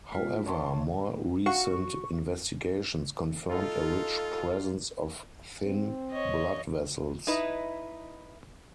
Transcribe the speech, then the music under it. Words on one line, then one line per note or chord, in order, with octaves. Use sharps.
However, more recent investigations confirmed a rich presence of thin blood vessels.
G#3 F4 B6
C#5 A5 C6 C#6
F#4 F5 F#5 C#6
A3 D#4 F4 A4
C4
C#5 D#5
D#4 E4 B4 D#5